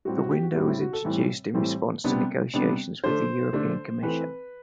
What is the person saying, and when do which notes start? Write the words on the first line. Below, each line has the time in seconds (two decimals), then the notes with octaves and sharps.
The window was introduced in response to negotiations with the European Commission.
0.05 A2 G3 C4 F#4
0.18 F#4
0.31 G4
0.43 F#4
0.55 A2 G3 C4 F#4
0.68 E4
0.80 F#4
0.93 A4
1.05 A2 E3 G3 C4
1.55 A2 E3 G3 C4
2.04 C3 G3 B3 D4
2.54 C3 G3 B3 D4
3.04 D3 A3 D4 C5
3.53 D3 A3 D4
4.03 E3 A3 C4 B4